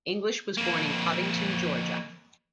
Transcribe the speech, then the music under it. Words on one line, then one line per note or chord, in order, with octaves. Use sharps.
English was born in Covington, Georgia.
F2 A#3